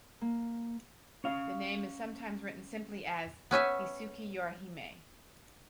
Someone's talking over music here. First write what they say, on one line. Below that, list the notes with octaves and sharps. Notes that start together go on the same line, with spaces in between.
The name is sometimes written simply as "Isukiyorihime".
A#3
C#4 F5
B3 C#4 E5 G#5